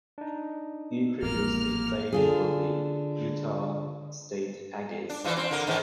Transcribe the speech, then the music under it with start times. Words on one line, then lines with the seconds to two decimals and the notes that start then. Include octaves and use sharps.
He previously played for the Utah State Aggies.
0.18 D4 D#4
1.23 A1 F2 A#2 A#3 A#4 F6
2.13 D3 F4 G#4
5.10 D4
5.24 G2 E3 F3
5.37 C4
5.51 D3 A#4
5.67 G#2 D#3 E3